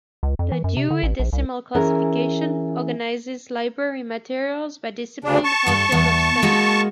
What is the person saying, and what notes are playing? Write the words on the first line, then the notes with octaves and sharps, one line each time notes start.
The Dewey Decimal Classification organizes library materials by discipline or field of study.
C#2
F2
E3
F#2
C3
D3
A1
A#1
C2
E3 C#4 G#4 A#4
D2 C#3 D4
A5 C#6
G2 A4
E2
G#3 A#3 F#4